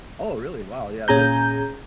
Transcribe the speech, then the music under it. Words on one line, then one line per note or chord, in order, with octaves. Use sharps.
Oh really? Wow, yeah, they're
A#2 C#4 G#4 A#5 G6